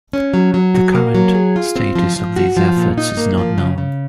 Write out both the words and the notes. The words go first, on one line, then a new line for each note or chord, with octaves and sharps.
The current status of these efforts is not known.
C#4
F#3
F#3
F#4
A#3
F#3
G#4
F4
C4
F3
F3
F#4
F3
A#2
D#4
A#3
F3
C#3
C#3